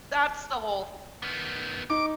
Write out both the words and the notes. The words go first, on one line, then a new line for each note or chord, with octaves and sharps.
that's the whole th
D#3 B3
D#4 D6